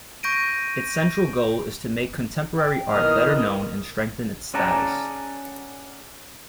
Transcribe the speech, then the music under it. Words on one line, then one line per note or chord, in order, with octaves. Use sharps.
Its central goal is to make contemporary art better known and strengthen its status.
C#6 G6 A#6 D7 D#7
G5
B2 D#3 E3 D#5 D#6 F6
C#4 G#4 D5 F#5 A5 A#5